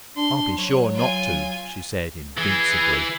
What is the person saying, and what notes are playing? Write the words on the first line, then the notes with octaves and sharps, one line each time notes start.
"I'll be sure not to!" she said invincibly.
D4 C6
F#3 C#5
F4 G#5
E3 G#4